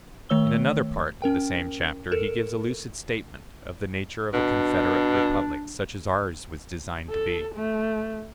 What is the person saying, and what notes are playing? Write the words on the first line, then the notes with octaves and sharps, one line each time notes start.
In another part of the same chapter he gives a lucid statement of the nature of a confederate republic, such as ours was designed to be.
D#3 A3 C#5 E6 G7
C#4 A#4 G5
A4 A#4 E7
B2 D4
A4
A3